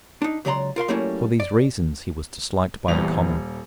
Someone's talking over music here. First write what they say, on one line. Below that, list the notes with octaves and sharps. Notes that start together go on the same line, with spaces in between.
For these reasons he was disliked by the Commons.
D4 D#4
C#2 C#3 F#3 D5 A#5 C6
F4 A#4 F5 C6
F#3 G3 A3 A#3 C#4 E4
D5
D#1 E2 G3 F7